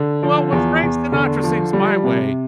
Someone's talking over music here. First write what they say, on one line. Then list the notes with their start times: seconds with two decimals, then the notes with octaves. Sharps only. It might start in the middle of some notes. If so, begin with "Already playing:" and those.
Well, when Frank Sinatra sings "My Way,"
Already playing: D3
0.23 F3
0.52 E2
0.83 E2
1.12 D3
1.43 F3
1.73 G3
2.04 C3